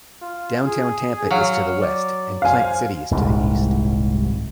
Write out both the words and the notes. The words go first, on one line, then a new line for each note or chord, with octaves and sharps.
Downtown Tampa is to the west, and Plant City is to the east.
F4
G#4
F#3 F5
D5
C5 F5 G#5
D#1 C2 G#2